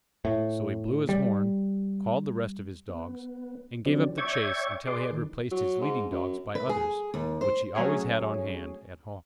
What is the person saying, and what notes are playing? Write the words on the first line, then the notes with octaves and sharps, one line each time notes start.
So he blew his horn, called the rest of his dogs, and gave up the chase until he had replaced his leading dogs by others, which he always had on hand at home.
A2
G3
B3
D3 F3 F#3 C4 D4
C#5 D5 E5 G5 C#6 G#6
G#4 B4 D5 C6 D6
D#3
F#3
G#2
F#2
B4
G#4
D#2
C5
F#3 A3 C#4 G#4 C#5